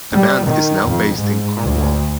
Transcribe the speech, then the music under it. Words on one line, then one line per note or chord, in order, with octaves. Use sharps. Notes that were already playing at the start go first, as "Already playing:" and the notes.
The band is now based in Cornwall.
G3
D#3
F2
G#2
D2